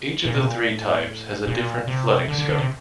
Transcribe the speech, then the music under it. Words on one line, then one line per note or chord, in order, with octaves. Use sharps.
Each of the three types has a different flooding scope.
A#2
C3
A#2
A2
A#2
C3
D3
D3
D3
C3